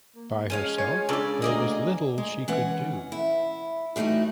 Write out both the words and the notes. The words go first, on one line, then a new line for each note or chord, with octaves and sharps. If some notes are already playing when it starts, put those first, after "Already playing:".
By herself, there was little she could do.
A#3
F3 G#3 C#4 F5 G#5
C#5 G#5
C#3 D4 F4 A4 D5
D2 A#3 G#4 D5 D#5
G#3
E3 C#4 F#5
E4
E3 G3 A3 D#4 F#4